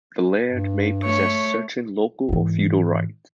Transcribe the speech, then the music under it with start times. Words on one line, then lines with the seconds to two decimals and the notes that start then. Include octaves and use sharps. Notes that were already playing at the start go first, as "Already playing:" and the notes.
The laird may possess certain local or feudal rights.
0.51 G2
1.03 A3 C#5
2.29 G#2 E3